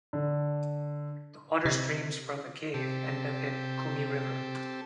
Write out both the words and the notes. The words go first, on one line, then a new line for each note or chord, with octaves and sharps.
The water streams from the cave end up in Kumi river.
D3
C3
C3 C4 G4 A4